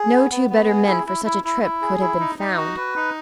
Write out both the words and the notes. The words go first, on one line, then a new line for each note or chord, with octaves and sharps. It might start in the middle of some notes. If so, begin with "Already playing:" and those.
No two better men for such a trip could have been found.
Already playing: G#4
B3
B3
B3
G#4
E4
E4
E4
E4
E4
G#4
E4
D#4
D#4
F#4
B4
D#4